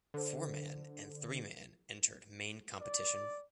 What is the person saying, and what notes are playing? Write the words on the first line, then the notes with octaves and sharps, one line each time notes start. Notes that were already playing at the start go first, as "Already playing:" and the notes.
Four man and three man entered main competition.
D3 A4 C5
D5